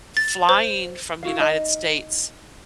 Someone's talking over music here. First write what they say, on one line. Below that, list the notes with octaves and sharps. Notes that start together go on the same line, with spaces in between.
flying from the United States
A6
C5
E4 F#4 F5
D#4 D#5